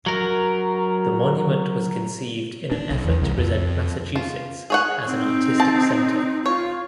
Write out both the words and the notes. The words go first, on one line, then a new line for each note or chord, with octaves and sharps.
The monument was conceived in an effort to present Massachusetts as an artistic center.
F#3 A#4
D4
B1
E2
C2
F2
F4
G#4 C#5 F#5
C4 D#4
A5
F4 C#5